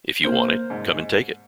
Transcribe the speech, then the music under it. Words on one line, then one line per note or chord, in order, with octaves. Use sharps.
If you want it, come and take it.
A#3 C5
G#2